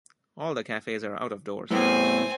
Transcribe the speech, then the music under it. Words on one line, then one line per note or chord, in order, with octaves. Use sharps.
All the cafes are out of doors.
A2 A3 B3 C4 G#5